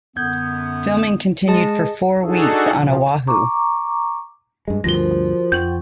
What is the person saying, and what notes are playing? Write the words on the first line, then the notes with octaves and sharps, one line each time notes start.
Filming continued for four weeks on Oahu.
F#2 D3 B3 G6 G#6
G#3 G#4 D#5 A5
D4 D#4 F#4 G#4 A4
B2 F3
A#5 C#6 D6
G2 G#3
D2 G2 F3 F#4 A#4 C5 A#6 G7
F2 F#5 G5 C#6 G6 F#7